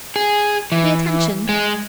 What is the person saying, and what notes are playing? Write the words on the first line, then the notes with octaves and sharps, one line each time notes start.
Pay attention!
G#4
E3
G#3